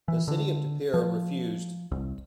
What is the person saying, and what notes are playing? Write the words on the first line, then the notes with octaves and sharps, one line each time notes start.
The city of De Pere refused.
E3
D3
F3
C2